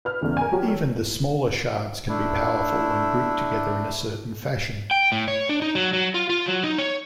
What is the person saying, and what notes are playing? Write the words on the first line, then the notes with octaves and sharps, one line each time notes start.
Even the smaller shards can be powerful when grouped together in a certain fashion.
B4 F6
E2 C#3 E3 A3
A#4 G#5
F3 F#3 G4 C#5
A4 C#5
A3 D4 E4
G5
A2
C#5
D4
D#4
F#3
F#3
F4
F4
F#3
D#4
C#5